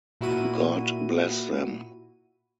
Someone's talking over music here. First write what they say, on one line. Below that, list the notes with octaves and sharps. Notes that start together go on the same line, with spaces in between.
God bless them.
A#2 E4 F#4 D#7